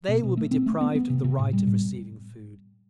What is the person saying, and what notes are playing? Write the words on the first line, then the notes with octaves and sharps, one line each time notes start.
They will be deprived of the right of receiving food.
B2
B2
A3
C4
A3
B3
B3
C3
C3
A2
G3
A2